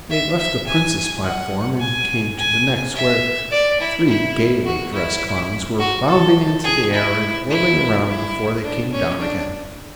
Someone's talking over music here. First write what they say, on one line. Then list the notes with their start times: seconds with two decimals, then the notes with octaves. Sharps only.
They left the Prince's platform and came to the next, where three gaily dressed Clowns were bounding into the air and whirling around before they came down again.
0.10 E5
0.39 E5
0.67 G#5
1.25 F#5
1.80 G#5
2.38 G#5
2.95 E5
3.51 D5
3.80 E4
4.08 E4
4.65 F#4
4.93 E4
5.79 F#4
6.08 A4
6.64 G#4
6.93 E4
7.49 E4
8.07 E4
8.63 D4
8.92 C#4
9.20 D4